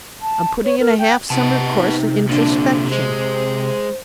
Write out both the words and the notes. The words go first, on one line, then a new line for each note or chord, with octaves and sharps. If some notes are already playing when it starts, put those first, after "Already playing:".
I'm putting in a half summer course in Introspection.
A5
C#5
A#4
G5
C3 B3 D#4 A5
A#2 D3 D4
G#3 C5